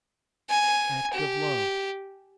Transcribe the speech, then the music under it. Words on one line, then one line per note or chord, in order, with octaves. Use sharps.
Act of Love.
G#5
G4